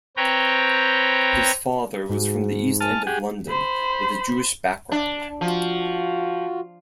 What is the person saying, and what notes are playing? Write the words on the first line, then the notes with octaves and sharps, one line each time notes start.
His father was from the East End of London with a Jewish background.
C4 B4 C#5 G5 A#5
G#2 F#4 G#4
G#5 A5 F6 D#7
G4 G#4 F#5
C5 B5
D4
F3 F4 F#4